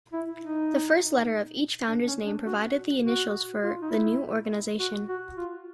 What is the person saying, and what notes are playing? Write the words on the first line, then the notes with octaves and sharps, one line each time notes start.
The first letter of each founder's name provided the initials for the new organization.
E4
D#4
D4
C#4
D4
F#4
F#4
F4
D#4
E4
F#4
F#4
F4